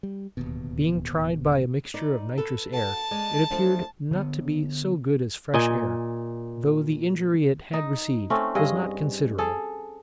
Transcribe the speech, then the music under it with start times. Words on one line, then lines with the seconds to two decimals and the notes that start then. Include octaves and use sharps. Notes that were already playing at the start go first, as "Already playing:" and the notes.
Being tried by a mixture of nitrous air, it appeared not to be so good as fresh air, though the injury it had received was not considerable.
0.03 G3
0.37 D1 D#2 B2
1.94 D#4 B4 D5
2.38 A4 B4
2.74 F#4 A5
3.11 G#3 D5
3.50 F3 A3 D4
4.11 D3 B3
5.54 A#2 D#5 G#5
7.73 D#4
8.30 A3 C4 C#4
8.55 G2 G#4 D#5
9.38 G#4 A4